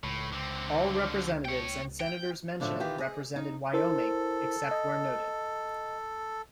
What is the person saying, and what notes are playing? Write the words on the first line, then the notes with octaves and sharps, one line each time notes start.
All representatives and senators mentioned represented Wyoming except where noted.
C#2 A2
D3 C4
C#5 G5
G5
A2 D3 F3 F#3 G#3 A3
D#3 E3 F4 G4
G#4 D#5
D#4
E4 A4 A#4 C5
D#5